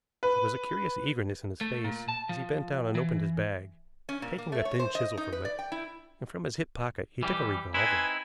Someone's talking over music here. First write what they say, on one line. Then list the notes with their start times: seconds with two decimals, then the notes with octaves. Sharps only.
There was a curious eagerness in his face as he bent down and opened his bag, taking a thin chisel from it, and from his hip pocket he took a revolver.
0.23 B4
1.61 A3
1.84 A#2
2.09 A5
2.29 F3
2.95 E3
4.09 C#4
4.22 A#2
4.38 A#3
4.52 A3
4.65 C#5
4.79 C5
4.95 D#5
5.17 D#4
5.33 B4
5.45 D5
5.59 G5
5.72 E4
7.23 E3 G3 G4
7.74 C4 D#4 E4 B4 G#5 C6